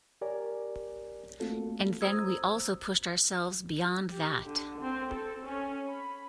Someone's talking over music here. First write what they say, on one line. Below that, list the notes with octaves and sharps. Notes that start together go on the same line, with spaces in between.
And then we also pushed ourselves beyond that.
G4 A#4 C#5 D5 G#5
A3 A#3 C4 F4 F#4 A4
C5 A#5 D#6 E6 G#6
G4
D3
C4
A4
C#4
B5